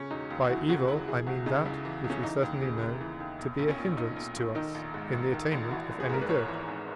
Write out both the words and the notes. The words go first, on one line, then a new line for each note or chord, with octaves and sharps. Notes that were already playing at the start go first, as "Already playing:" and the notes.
By evil I mean that which we certainly know to be a hindrance to us in the attainment of any good.
Already playing: C#3 C#4
E1 D#4
D#2
E3 F#4
C#3 F#4
E1 E4
E3 G#4
C#2 F#4
C#3 D#4
C#2 E4
E3
C#2
C#4
E3 D#4
D#2
C#3
D#2
E3
D#2
B1
B1
C#4
A#2
A#2 D#4
B1
B1
D#3 D#4
A#1
G#2
A#1
D#3
A#1
E3 F#4
G#1
G#4
G#2 A#4
B4
G#1 C#5
E3
G#1